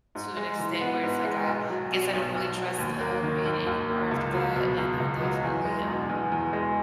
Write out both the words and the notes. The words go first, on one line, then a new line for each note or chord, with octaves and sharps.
to an extent where it's like I I guess I don't really trust, uh, men anymore after that. And I definitely, um,
G#2
G#3
E3
B3
G#2
G#3
B1
F#3
B2
B1
B1
F#3
D#2
A#3
D#3
D#2
D#2
A#3
C#2
F#3
B2
C#2
C#2
F#3
E2
G#3
B2
E2
E2
G#3